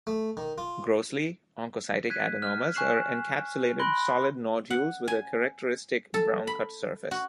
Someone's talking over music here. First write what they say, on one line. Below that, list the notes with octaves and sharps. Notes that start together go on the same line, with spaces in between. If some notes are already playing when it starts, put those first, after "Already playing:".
Grossly, oncocytic adenomas are encapsulated, solid nodules with a characteristic brown cut surface.
A3
D#3
F4
F#6 G#6 B6 D#7
F6
G#5 C#6 F#6 C7 E7 F#7
B5 C6 F#6 A#6 D7 G7
F#5
G#5
A4
B5
F#4